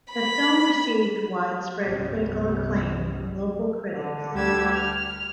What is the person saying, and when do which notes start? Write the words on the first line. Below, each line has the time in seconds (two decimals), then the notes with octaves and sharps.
The film received widespread critical acclaim from local critics.
0.13 B5
1.83 G1 C2 C3 G3 B3 C#4
3.94 D3
4.34 D2 G3 D4 G4 E6 G#6
4.72 F6